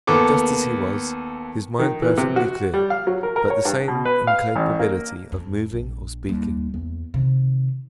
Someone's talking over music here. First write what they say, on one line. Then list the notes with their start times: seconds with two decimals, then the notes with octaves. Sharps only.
"Just as he was, his mind perfectly clear, but the same incapability of moving or speaking."
0.07 D#2 B3 A4 D6
1.79 D#3
2.02 E3
2.18 C3
2.36 F#4
2.74 G3
2.90 F5
3.07 F#3
3.23 A#4
3.36 A#4
3.50 C#5
3.65 G2
3.88 B2
4.05 B4
4.27 F5
4.56 A1
4.79 A#3
5.32 F2
5.72 A#1
6.29 D#2 G3
6.74 E2
7.14 C3 D#3